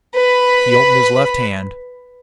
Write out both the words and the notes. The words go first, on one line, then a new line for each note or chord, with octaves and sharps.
He opened his left hand.
B4 B5